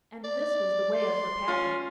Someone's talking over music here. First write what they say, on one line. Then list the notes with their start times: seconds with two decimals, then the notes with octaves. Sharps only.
And this was the way of her packing.
0.24 D5
0.94 C6
1.48 C#4 F4